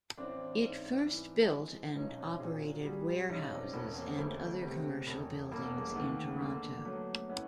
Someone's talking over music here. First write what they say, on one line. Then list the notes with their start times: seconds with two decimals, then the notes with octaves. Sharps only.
It first built and operated warehouses and other commercial buildings in Toronto.
0.17 A1 C4 D4
0.62 G#2
1.07 E3
1.51 G#3
1.95 B1 C#4 D#4
2.17 C4 D4
2.40 A#2 F#4 G#4
2.78 G4
2.84 G3 F#4 G#4
3.29 B1 C#4 D#4
3.51 C4 D4
3.73 E1 B3 C#4
3.96 A#3 C4
4.11 G#3
4.18 D2 A3
4.40 A3
4.62 C3
5.07 E1
5.52 E1 A#3
5.64 B3
5.77 G#3 A#3
5.95 D#2 A3 B3
6.40 D3 G#3 A#3
6.77 A#3
6.84 F#3 A3 B3
7.29 A2 B3 C#4